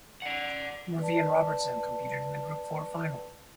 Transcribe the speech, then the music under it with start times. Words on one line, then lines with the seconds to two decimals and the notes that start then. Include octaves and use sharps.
Murphy and Robertson competed in the group four final.
0.22 D5 F#5
0.99 B4 D5 A5